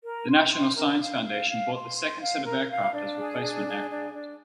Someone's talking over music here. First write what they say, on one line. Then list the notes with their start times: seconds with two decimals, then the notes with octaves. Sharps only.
The National Science Foundation bought the second set of aircraft as replacement aircraft.
0.03 A#4
0.28 C6
0.52 C6
0.76 A#4
1.00 F5
1.24 F5
1.49 F5
1.73 C6
1.96 C6
2.20 F5
2.45 A#4
2.70 F5
2.93 D4
3.18 G#4
3.41 D4
3.66 G#4
3.90 D4
4.13 D4